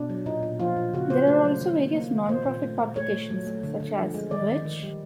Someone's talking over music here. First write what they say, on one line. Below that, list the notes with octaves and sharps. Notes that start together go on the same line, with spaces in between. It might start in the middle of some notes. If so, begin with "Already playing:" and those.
There are also various non-profit publications, such as Which?
Already playing: B2 D4
F#3
A#2 D#4
A#2
F3 F4
A#2
C#3 F#4
C#3 C5
A3 C5
F#3
D#3
A#3
A#3
D#3
A#2 C5
A#2
A3
A#2
A3 C#5
A3
F#3
A3
D3
D3
F3
G#3
D#3 D5
D#3
D#3
G3